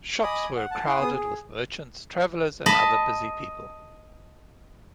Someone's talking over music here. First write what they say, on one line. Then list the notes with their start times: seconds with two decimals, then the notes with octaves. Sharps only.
Shops were crowded with merchants, travellers and other busy people.
0.23 D#5 G#5 B5 D6 D#6
0.56 F#5
0.71 F#5 A5
0.85 E4 F#5 C6
1.00 B3 G#4 D#6
1.15 G#4
2.66 D#5 A5 B5